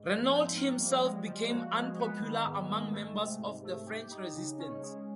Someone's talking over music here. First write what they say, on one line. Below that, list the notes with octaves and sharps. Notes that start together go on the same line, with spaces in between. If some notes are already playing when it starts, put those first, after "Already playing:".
Renault himself became unpopular among members of the French resistance.
Already playing: G#2
F3
C4
A#3
G3
G#3
F3
F#4
G#3
B3
D#3
G#2
G#3
A3
C3
G#2
A3
G4
D#4
C#3
C#4
G#3